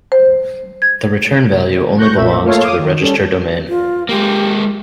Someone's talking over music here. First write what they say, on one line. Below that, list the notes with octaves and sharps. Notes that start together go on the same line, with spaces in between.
The return value only belongs to the register domain.
C5
G#6
C#6 F#6 G6 A#6
B1 A#2 F3 E5
A3 A#3 F4 A4 C#5 F5
F5 D6 D#6
D#3
G3 C#4 A4
F4
G#3 A#3 G4